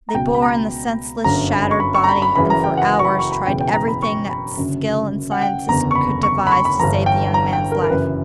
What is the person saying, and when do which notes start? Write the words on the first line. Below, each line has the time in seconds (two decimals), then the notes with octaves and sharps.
They bore in the senseless, shattered body, and for hours tried everything that skill and sciences could devise to save the young man's life.
0.09 A#5
0.14 C#2 B2 G5
0.35 B5
0.42 A#5
1.24 G1 F#2 D3 A#5
1.53 B5
1.71 C#6
1.80 B5
1.94 C#6
2.04 A#5
2.09 B5
2.22 B5
2.36 F#1 F#2 C#3 E3 B5
2.50 A#5
2.64 G5
2.77 F#5
2.99 C#6
3.05 B5
3.19 C#6
3.32 B5
3.46 E1 E2 C#3 E3 G5
3.61 G5
3.74 A#5
3.88 B5
4.02 C#6
4.29 B5
4.57 F#1 F#2 D3
5.32 F#5
5.41 G5
5.68 F#1 E2 D3 A#5
5.91 C#6
5.95 B5
6.23 C#6
6.47 B5
6.52 C#6
6.65 B5
6.80 G1 G2 E3 A#5
7.06 G5
7.34 A#5
7.53 G5
7.72 A#4
7.82 A#4
7.90 F#1 F#2 E3 B4